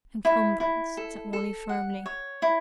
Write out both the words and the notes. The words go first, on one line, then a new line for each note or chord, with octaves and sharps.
"Encumbrance," said Wally firmly.
E4
E4
A4
A4
F#5
C#5
E4